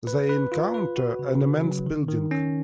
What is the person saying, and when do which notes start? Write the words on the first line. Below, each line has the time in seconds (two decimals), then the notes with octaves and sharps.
They encounter an immense building.
0.07 B4
0.29 B4
0.52 F4
0.74 B4
0.97 F#4
1.19 C#3
1.41 C#3
1.64 F#3
1.87 D#3
2.08 D#3
2.31 C#4